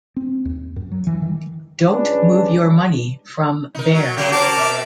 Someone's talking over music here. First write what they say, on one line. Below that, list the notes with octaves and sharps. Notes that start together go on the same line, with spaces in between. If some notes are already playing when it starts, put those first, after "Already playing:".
Don't move your money from Bear.
C4
D#2
F#2
F#3
E3
D#3
C#2 C#4 D4 B4
D#4 A#4
F#3
C#3 F#3 A#3 G4
F#4 A#4 C5 A5 D6
B2 E5